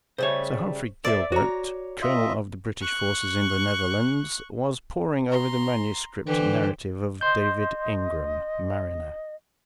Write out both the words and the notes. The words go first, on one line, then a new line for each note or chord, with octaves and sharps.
Sir Humphrey Gilbert, colonel of the British forces in the Netherlands, was poring over the manuscript narrative of David Ingram, mariner.
C#3 G3 A3 C5 C#5
A4 C5 D5 E5
F#4 C#5 A#5
F4 D#5 E5
C#6 F#6
A#5 C6
D3 E3 G4 C5
D#5 C6 G6